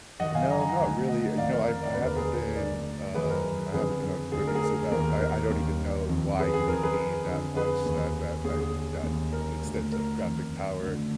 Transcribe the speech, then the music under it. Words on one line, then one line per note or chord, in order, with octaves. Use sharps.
No, not really, uh, you know, I I haven't been um, I haven't, uh, been privy to that, I I don't even know why you would need that much that that that that the extent of graphic power,
F#2 D#3 D#5 F#5
F5 G#5
A#5
G#5
F#5 A#5
D2 D3
D#5 F#5
F2 D#3 D5 F5
A#4
A#4
D5
D#2 D3 B4
A#4
G#4 B4
D2 D3 A#4 D5
F#2 D#3 G#4 B4
A#4
F2 D3 G#4 B4
D2 D3 G#4
A#4
G#4
A#4
D#2 D#3 A#4
A#4
D#2 D#3
F2 D#3
G#4 B4
G#4
F2 D#3 A#4
G#4 B4
F2 D3
G#4 B4
D#2 D#3
D#2 D3 G#4
G#4
D#2 D#3
A#4
D2 D3
A#4
F2 D#3
D2 D3